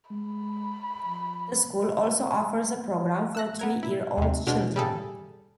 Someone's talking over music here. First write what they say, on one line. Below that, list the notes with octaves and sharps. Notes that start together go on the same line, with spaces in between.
The school also offers a program for three year-old children.
G#3 B5
F3
E6 F#6 A#6
B3 A#4 G#6
E4
D#2 C3
B2 G#3 D4 F6
G3 G#4 A4